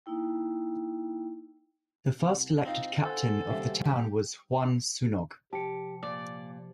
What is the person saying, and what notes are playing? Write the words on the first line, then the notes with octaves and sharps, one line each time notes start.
The first elected Captain of the town was Juan Sunog.
A#3 D#4 E4 G5
C2
C4 D#4 F4 C5
A4 C5 F#5 G#5
D#2 C3 G3 E5
G4
C3 F3 G4 A5 C#7
A#2 D5